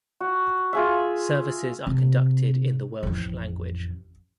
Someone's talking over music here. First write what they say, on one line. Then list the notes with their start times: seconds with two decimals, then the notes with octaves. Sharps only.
Services are conducted in the Welsh language.
0.21 F#4
0.73 F4 G#4 E5
1.87 C3
3.03 A1 F2